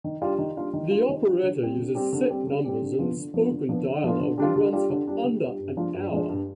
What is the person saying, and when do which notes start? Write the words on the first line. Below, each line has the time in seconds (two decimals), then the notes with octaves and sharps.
The operetta uses set numbers and spoken dialogue and runs for under an hour.
0.04 D#3
0.22 G3 D4 F4
0.38 D#3
0.57 G3 D4 F4
0.73 D#3
0.91 G3 D4 F4
1.09 D#3
1.26 G3 D4 F4
1.43 D3
1.60 G3 C4
1.78 D3
1.95 G3 C4
2.13 D3
2.30 G3 C4
2.47 D3
2.65 G3 C4
2.82 D3
2.99 F3 B3 D4 F4
3.17 D3
3.34 F3 B3 D4 F4
3.52 D3
3.69 F3 B3 D4 F4
3.86 D3
4.04 F3 B3 D4 F4
4.20 D3
4.38 G3 D4 F4
4.56 D3
4.73 G3 D4 F4
4.90 D3
5.07 G3 D4 F4
5.24 D3
5.42 G3 D4 F4
5.60 G2
5.77 F3 G#3 D4 F4
5.94 G2
6.12 F3 G#3 D4 F4
6.29 G2